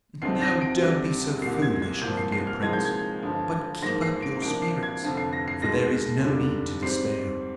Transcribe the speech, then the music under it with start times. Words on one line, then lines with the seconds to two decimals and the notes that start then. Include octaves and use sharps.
'Now, don't be so foolish, my dear Prince; but keep up your spirits, for there is no need to despair.
0.22 D2 C3 F3 C4 D#4 C7
0.42 A#6
0.61 D7
0.82 D2 C3 G3 D4
1.42 C2 A#2 G3 C7
1.62 G#6
1.82 G#6
2.02 C2 A#2 F3 G6
2.17 C7
2.32 C7
2.47 F6
2.62 C2 A#2 F3 G#3 D#4 G#6
2.73 G6
2.85 G#6
3.22 G1 G2 D3 F3
3.82 G#2 F3 A#3 A#6
4.02 C7
4.22 D7
4.42 C2 C3 F3 A#3 D4 D7
4.62 C7
4.83 G#6
5.03 F1 F2 D3 F3
5.17 C7
5.33 A#6
5.48 C7
5.62 D#2 D#3 G#3 D#4 A#6
6.22 F1 D#2 D3 G3 D4
6.83 G#2 G3 C4 C7